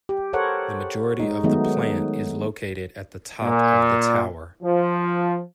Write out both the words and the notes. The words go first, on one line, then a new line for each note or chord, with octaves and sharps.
The majority of the plant is located at the top of the tower.
G4
A4 A#4 C5 C#5 F#5
G#3 D#4
D#3 F#3 G#3 A3 B3 D#4
A#2
F3